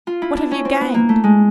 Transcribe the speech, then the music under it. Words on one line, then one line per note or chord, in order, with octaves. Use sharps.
What have you gained?
F4
E4
D4
C#4
C4
B3
A#3
A3
G#3